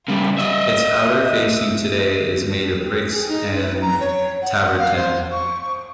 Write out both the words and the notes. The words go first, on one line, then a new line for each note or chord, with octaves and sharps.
Its outer facing today is made of bricks and travertine.
C#3 G3
D#5 E5
G#4
D#4
B4
A#5
C#5
F#5
F#5
F5
C5
C#6